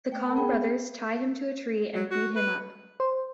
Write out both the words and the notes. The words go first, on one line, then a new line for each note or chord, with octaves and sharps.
The Kong brothers tie him to a tree and beat him up.
A3 G5
A#4 F#5 A5 B5
B3 G#4 G5
F#3
F#4
B4
C5